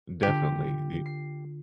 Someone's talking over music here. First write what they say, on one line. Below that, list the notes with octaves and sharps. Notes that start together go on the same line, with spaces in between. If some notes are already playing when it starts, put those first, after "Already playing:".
definitely, the
D3 F4 G4
C7